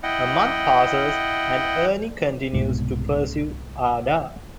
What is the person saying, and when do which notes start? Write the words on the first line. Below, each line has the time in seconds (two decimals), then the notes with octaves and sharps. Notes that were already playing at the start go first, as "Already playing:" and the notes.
A month passes, and Ernie continues to pursue Ada.
0.03 E4 D#5 F#5 G5
2.53 C2 G#2 B2